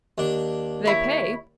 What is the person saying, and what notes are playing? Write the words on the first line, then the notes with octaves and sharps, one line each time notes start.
They pay.
D#2 D4
E4 C#5